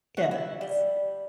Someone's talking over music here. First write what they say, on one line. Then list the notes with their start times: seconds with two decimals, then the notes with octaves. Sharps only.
Yeah, it's
0.17 F#4
0.31 E4
0.61 G3